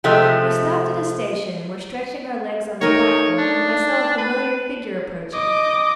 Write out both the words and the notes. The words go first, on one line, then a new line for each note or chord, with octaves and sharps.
We stopped at a station and were stretching our legs on the platform when I saw a familiar figure approaching.
C3 F3 G#3 A3
A3 D#4 A#4 C#5
D4
B4
D#5 D6